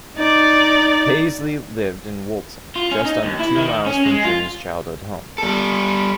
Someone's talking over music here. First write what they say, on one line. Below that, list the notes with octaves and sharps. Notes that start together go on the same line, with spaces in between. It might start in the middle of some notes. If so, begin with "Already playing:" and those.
Paisley lived in Woolton, just under two miles from Jimmy's childhood home.
D#4 D5
F4
C#4
D#4
D#2
E4
D#3
C#4
G#3
F4
G3 A4